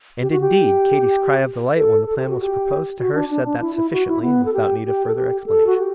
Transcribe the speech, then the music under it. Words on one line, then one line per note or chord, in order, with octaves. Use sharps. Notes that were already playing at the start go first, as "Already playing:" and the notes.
And indeed Katy's cry of delight when the plan was proposed to her said that sufficiently, without need of further explanation.
G4
F#4
G4
A4
A4
G4
F#4
G4
F#4
D4
D4
D4
E4
E4
F#4
E4
B3
A4
G4
G4
A4
G4
A4
F#4
G4